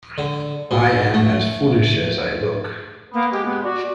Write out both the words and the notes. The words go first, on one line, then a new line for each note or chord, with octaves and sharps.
I am as foolish as I look.
D3
B2
A3
A#3 B3
G#3 G4
B3
F#4 D5